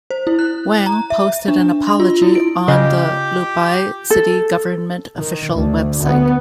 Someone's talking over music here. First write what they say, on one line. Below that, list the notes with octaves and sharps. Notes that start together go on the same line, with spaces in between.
Wang posted an apology on the Luobei city government official website.
C5
E4
F#6
A#5
E5
D4
C6
F4
E4
D7
C#3 F4 G4 D#5
A4
D#3
D2
B3